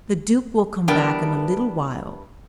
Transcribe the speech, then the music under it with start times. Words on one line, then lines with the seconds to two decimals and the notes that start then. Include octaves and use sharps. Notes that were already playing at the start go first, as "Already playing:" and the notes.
The duke will come back in a little while.
0.88 E3 G3 B3 D4 A#4 G5